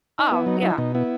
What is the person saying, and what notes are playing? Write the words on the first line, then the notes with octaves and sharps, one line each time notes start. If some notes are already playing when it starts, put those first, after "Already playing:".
Oh, yeah.
D#4
B3 E4
F#3 D#4
D#4 E4
B2 D#4
B3 E4